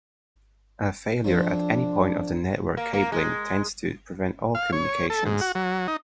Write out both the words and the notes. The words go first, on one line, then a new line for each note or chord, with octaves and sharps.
A failure at any point of the network cabling tends to prevent all communications.
F2 C4 D4
A#3
A#3
G#3
F5
C#5
A4
G#2
F#4
F#3
D#4